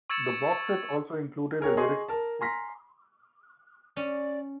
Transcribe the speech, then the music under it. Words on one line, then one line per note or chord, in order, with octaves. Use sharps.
The boxset also included a lyric book.
C#6 E6 G#6 A6 C#7 E7
G#4 A#4 C#5 G5
G#4 D#5 C6 C#6
A#4 A5
G#5 A#5 C6 F6 A#6 B6
C#4 D5